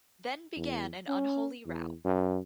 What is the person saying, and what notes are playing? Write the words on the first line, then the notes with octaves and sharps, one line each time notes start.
Then began an unholy row.
E2
C#4
E2
F#2